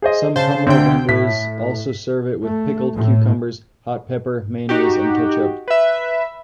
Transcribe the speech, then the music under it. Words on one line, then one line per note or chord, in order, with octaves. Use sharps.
Some kumru vendors also serve it with pickled cucumbers, hot pepper, mayonnaise and ketchup.
G#4 C5 D#5
C#3 C5 A5
D2 D3 C4 G5
A2 B6
A3
A2
D#4 F#4 G4
B4 E5